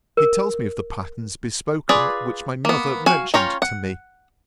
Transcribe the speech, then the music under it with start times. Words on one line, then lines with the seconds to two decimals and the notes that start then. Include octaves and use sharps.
He tells me of the patterns bespoken which my mother mentioned to me.'
0.17 A#4
1.89 F4 G#4 B4 D5
2.65 A#3 B3
3.06 F#4 F5 G#5
3.34 C#4 F4 C#5 G5 A#5
3.62 F#5